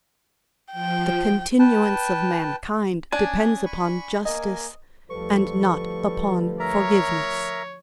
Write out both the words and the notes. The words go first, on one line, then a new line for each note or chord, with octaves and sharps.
The continuance of mankind depends upon justice and not upon forgiveness.
F3 G5
B4 G5 A5
C#4 D4 D5 G#5 A5 D#6
B5 C#6
A#3 D#5 G#5
D2 F3 G3 A4 B4 C#6
A#4 C#5 E5 A#5